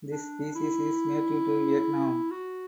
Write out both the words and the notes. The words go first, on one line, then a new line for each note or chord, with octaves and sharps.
This species is native to Vietnam.
D4
E4
F#4